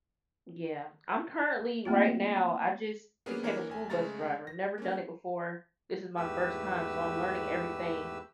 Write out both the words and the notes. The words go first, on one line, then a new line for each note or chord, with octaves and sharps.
Yeah, I'm currently right now, I just became a school bus driver, never done it before. This is my first time, so I'm learning everything
A3 A#3 C4 F4
A#3 B3 C#4 D4 G#4
E3 A#3 D4 A#4 C#5
G#1 G#5
C#3 G#3 A3 A#5 A6
A#6
A#3 C#4
E2 G#2 A3 G4 B4 E6